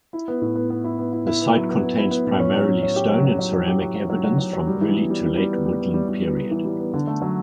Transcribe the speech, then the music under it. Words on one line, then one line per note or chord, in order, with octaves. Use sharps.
The site contains primarily stone and ceramic evidence from Early to Late Woodland period.
E4
B3
A2
B3
B3
E4
B3
E4
E4
B3
F#3
B3
B3
E4
B3
A2
C#4
F#3
C#4
C#4
G4
F#3
F#3
F#3
F#3
G4
F#3
F#3
F#3
F#3
F#3
F#3
G3
E3
B3
G3
E3
G3
B3
G3
B3
G3
G3
B3
B3
E3
G3
B3
D3
A3
F#3